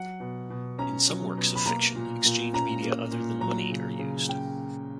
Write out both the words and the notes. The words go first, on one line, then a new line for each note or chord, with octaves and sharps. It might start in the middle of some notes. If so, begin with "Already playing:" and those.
In some works of fiction, exchange media other than money are used.
Already playing: F#3 F#5
B2
B2
C#4 A#5
F#3
B2
B5
A#3 A#5
A#2
A#2
C#4 A#5
A#3
A#2
F#3 A#5
C#3
C#3
C#4 G5